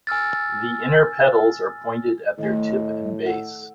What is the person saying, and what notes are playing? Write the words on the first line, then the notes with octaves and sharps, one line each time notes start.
The inner petals are pointed at their tip and base.
G#5 E6 F6 A6
A2 D#3 A3 D#5
A4 F#5